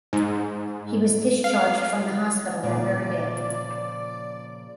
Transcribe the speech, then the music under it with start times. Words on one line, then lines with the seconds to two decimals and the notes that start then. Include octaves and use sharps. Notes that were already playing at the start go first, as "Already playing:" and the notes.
He was discharged from the hospital that very day.
0.13 G#2
1.44 F5
2.63 A#2 C#3 F3 D5